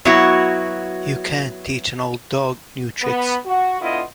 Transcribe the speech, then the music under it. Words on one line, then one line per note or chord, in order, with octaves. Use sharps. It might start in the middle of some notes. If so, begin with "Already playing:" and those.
You can't teach an old dog new tricks.
F#3 B3 E4 F#4
B3
F#4
B2 D3 B3 E4 F4 D#5